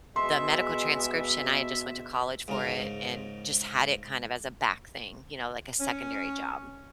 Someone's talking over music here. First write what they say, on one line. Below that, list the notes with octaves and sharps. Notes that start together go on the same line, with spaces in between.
The medical transcription, I had just went to college for it and just had it kind of as a back thing, you know, like a secondary job.
B2 G#3 E5 C6
G#2 C#3 A#4
C#4